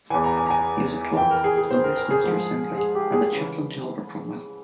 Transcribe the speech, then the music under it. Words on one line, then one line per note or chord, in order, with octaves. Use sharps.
He was a clerk to the Westminster Assembly and a chaplain to Oliver Cromwell.
E2 E3 G#5
A#5
G#5
A#5
G#5
F2 E3 G5
A#4
G#4
G#4
C5
A#4
A#4
G#4
G#2 F3
G#4
G4
G#4
C#3 E3